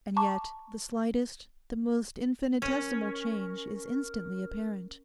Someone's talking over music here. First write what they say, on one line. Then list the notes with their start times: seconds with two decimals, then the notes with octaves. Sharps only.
And yet the slightest, the most infinitesimal change is instantly apparent.'
0.17 A5 A#5 C#6 D6
2.62 C#4 A#4